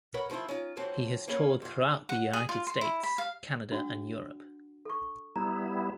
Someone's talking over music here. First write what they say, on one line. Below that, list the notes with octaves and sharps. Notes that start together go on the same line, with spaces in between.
He has toured throughout the United States, Canada, and Europe.
A#4 B4 C#5 D#5 F#5 B5
D#3 F3 C4 E4 F4
C#4 D#4 F4
F2 G#2 F3 F#3 C4
A#3 B3 C#4 G#4 F5
F2 F5
F#5
G#4
F4
C6
E4
B5
F5
D4 F#4 F#5
A4 C#6
G3 B3 E4 A#5